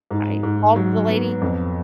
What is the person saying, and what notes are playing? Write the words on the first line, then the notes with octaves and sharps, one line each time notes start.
I called the lady
G#2
G#2
F#3
B3
F2